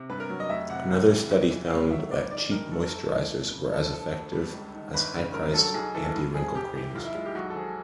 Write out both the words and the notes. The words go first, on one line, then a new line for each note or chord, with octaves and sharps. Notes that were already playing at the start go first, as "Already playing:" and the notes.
Another study found that cheap moisturisers were as effective as high-priced anti-wrinkle creams.
Already playing: C3
G2 B4
A#4
F#3
D#5
F1 E5
C3 F#5
C2
E3
B1
E3
C#2 F5
F#3 E5
G1 D5
D#3 D5
F2 A#4
F#3 A4
A#4
G1 A4
E3
F1
C#3
G2 A4
F3 A4
D2
G3
C#2
D#3
G1 B4
C#3
G2 A#4
F#3 A4
B1 G#4
E3 A4
G2
F3 G#4
F2 G4
E3 G4
B1 F4
E4
G#3 F4
G4
B1 F#4
A4
F3 G#4